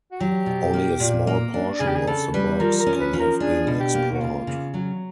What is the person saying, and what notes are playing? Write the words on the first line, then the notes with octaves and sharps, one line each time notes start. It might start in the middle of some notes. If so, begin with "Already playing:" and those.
Only a small portion of the bogs can have been explored.
F#4
F#3 G4
B2
A#3
A#2
A#3
D4
C#3 G#4
G4
G#4
C#3 A4
G3 B4
F3 A#4
A#4
C#4
B4
F3
A#4
D4 G#4
B2
G4
A#3
F#4
C#3 F4
C#3
F#3